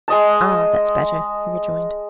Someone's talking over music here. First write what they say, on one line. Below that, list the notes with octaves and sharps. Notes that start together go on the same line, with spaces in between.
"Ah! that's better," he rejoined.
G#3 D#5 A5